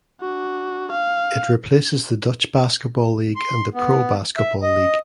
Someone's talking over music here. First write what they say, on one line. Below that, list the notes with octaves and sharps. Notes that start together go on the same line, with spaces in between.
It replaces the Dutch Basketball League and the Pro Basketball League.
D4 F#4
F5
C6
B3
E5
D#5